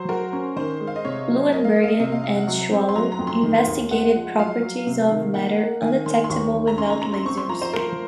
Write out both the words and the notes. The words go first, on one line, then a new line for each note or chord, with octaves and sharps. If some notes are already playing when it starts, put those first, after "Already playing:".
Bloembergen and Schawlow investigated properties of matter undetectable without lasers.
Already playing: F#3 C5
F#4 A#4
C#4
D#3 C5
G#3
F5
D#5
C3 C#5
F#3
A#3 D#5
F5
A#3 D#5
F5
D#5
C3 D#5
F5
C3 F5
F#5
F#3
C4
C6
F#3 A#5
A#5
F2
C6
D#3
D#2
G#3 F#5
F3
F#3 F5
F#3
C3
D#3
A#3 F#5
A#3
D#3 G#5
D#3 C6
C6
D#2 C#6
D#3
A#5
C#4 C6
A#5
C#4 A#5
C6
C4 C#6
C6
F3 A#5
C5
F3 A#4